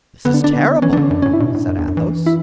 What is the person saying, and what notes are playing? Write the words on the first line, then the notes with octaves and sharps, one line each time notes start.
"This is terrible," said Athos.
D3 B3
D4
D4
B3
E3 C#4
D3 E3 D4
C#4
F#2 D4
A2 C#4
E4
B2 D4
A2
F#2
E2
F#2
E3
E4